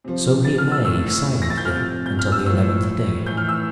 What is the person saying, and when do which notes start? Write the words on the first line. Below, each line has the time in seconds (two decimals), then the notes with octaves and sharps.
So he lay silently until the eleventh day.
0.04 C3 F3
0.45 A6
0.58 F6
0.72 E6
0.85 A2 F3 E6
1.42 A#6
1.50 A6
1.57 G6
1.65 C3 F3 F6
2.06 G6
2.19 F6
2.32 E6
2.46 A2 F3 E6
3.26 A2 E3 G6
3.37 F6
3.49 E6